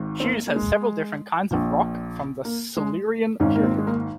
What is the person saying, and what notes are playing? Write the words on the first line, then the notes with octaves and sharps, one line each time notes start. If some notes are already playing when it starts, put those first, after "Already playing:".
Hughes has several different kinds of rock from the Silurian period.
Already playing: G#1 G#2 D#3
C4
A#3
A#3
G#3
A#1 A#2
A#3
G#3
G#1 G#2 D#3 C#4
A#3
C4
G#3
A#3